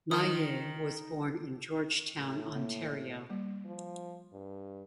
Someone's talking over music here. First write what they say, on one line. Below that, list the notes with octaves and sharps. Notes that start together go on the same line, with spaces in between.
Maillet was born in Georgetown Ontario.
D#3 D#6
A2
A#3
G3 A#3
F3
G2